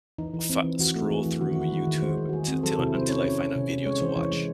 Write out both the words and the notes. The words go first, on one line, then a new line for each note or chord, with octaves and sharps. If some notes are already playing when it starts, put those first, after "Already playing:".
fu scroll through YouTube ti 'till until I find a video to watch?"
E3 D#4
E3
C4
E3
E3 F#4
A3
E3 G#4
E3
D#3 F#4
E4
D#3 F#4
G#3
D#3
G#3 C5
D#3
F#4
G#3 G#4
C4 C5
C5
F#3 A4
C3 E4
F#3 C5
C#4 C#5
C#4 C#5
C#4
C3
C#4
G#3 C#5
E3 C5
E3 C#5
G#3